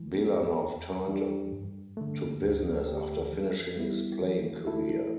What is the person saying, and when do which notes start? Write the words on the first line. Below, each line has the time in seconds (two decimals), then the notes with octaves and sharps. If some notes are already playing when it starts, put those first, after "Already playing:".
Belanov turned to business after finishing his playing career.
Already playing: E3
0.17 B3 G4
0.62 E2
1.07 E3 G3 D4 G4
1.52 G2
1.97 D3 A3
2.42 D2
2.87 D3 A3 G4
3.33 E3
3.77 G3 B3 E4
4.22 E3
4.67 A3 E4 A4